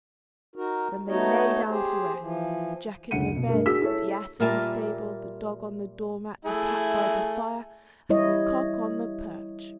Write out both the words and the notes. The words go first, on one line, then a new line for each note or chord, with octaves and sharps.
Then they lay down to rest;--Jack in the bed, the ass in the stable, the dog on the door-mat, the cat by the fire, and the cock on the perch.
D#4 F#4 A#4
A3 B3 D#4 F#4 C#5 D#5
G4 G#4 C5
E3 F3
F#1 D2 F#5 C#7 D#7
B2
G2 A3 A#4
D4 F#4 G#4 E6 B6
E4 A4 C#5
A#2 G3 A#4 E5 G#5 A5
A3 E4 G#4
G3 E4 C#5 D#5